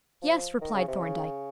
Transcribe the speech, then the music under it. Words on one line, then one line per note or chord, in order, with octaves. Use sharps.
"Yes," replied Thorndyke.
F3
D#3
C#3
C3
C#3